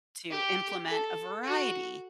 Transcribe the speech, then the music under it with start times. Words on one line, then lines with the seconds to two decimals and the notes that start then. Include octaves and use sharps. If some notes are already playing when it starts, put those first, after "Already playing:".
to implement a variety
0.30 G4
0.87 A4
1.44 F#4